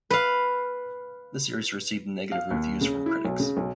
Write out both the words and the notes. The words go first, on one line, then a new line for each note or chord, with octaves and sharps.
The series received negative reviews from critics.
B4 F5
F5
D#2
C#3
E4
B1
C#3
B1